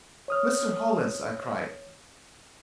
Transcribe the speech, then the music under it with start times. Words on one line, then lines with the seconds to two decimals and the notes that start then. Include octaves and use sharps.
"Mr. Hollins!" I cried.
0.28 C#5 D#6 F6